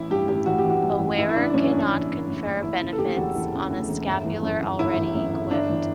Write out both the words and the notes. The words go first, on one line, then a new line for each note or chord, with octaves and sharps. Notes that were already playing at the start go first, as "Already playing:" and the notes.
A wearer cannot confer benefits on a scapular already equipped.
Already playing: A1 E3 E4
G2 G4
A1 G4
A1 F#4
G4
E3 F#4
G2
A1
E3 E4
E4
C#3 D4
D4
F#2 C#4
C#4
F#1 D4
E3
C#3
F#2
F#1
E3 E4
C#3
A4
D2 G4
E1 F#4
E3
C#3
D2
E1
G1
E3
F#2
G1
G1 E4
E3
F#2
G1
G1 D4
E3